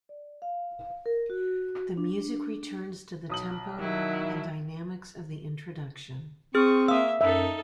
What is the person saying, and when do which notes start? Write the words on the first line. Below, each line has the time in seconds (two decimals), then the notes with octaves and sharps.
The music returns to the tempo and dynamics of the introduction.
0.09 D5
0.42 F5
1.06 A#4
1.30 F#4
1.97 D4
3.30 B1 D#6 F#7
3.79 D#3 F#3 E4
6.55 C4 G#4 C#6 D#6 F6
6.88 A#3 E5 F5 D#6 E6
7.21 F#2 D#4 A4 E5